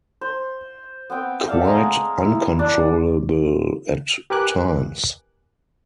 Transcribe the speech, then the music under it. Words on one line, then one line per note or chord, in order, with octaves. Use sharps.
Quite uncontrollable at times.
C5
B3 C4 G5
A4 D5 E5 F5
G#3 G#5 A#5 D#6
E4
D4
G4 A#4 B4 G#5 D6 F#6